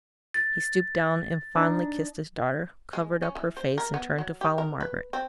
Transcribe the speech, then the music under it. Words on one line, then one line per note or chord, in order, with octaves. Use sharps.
He stooped down and fondly kissed his daughter; covered up her face, and turned to follow Margaret.
A6
D4 D#4
G#3
C#4
E3
C5
A#4
B3
F#3
G4
A#4
B4
C4